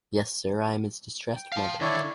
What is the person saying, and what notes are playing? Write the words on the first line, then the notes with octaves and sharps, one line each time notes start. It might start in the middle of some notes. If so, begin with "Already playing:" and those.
Yes, sir, I am his distressed mother.
G5
F5 A5
D3 D#3 E4 C#5 D5